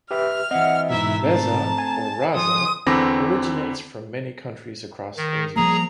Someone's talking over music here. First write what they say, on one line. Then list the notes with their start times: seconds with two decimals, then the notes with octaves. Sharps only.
"Reza" or "Raza" originates from many countries across Asia.
0.11 G4 B4 E5 F6
0.51 E3 C4 D#5 E5 F#5
0.90 E2 G#2 B2 E4 E5 A#5
1.24 A3 C4 A5
1.78 G#5
2.34 F3 A4 C6 D#6
2.87 E2 D3 C4 B5 D6 A#6
5.17 D#3
5.56 F3 G3 A#3 G#4 A#5